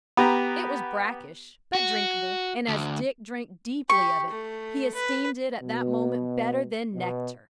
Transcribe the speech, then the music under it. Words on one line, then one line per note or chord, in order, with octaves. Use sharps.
It was brackish, but drinkable, and as Dick drank deeply of it he esteemed it at that moment better than nectar.
B3 G4 A#5
F#4
D2
G4 C#6
A3
B4
B2
B2